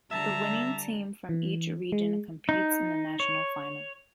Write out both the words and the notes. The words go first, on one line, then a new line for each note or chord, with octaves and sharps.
The winning team from each region competes in the national final.
D3 G3 E5 A5 A#5
E3
G#3
D#4
C#5